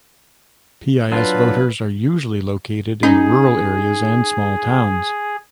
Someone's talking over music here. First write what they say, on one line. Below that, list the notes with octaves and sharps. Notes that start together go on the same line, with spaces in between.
PiS voters are usually located in rural areas and small towns.
F#3 D4 F4 B4
C#4 D#4 G#4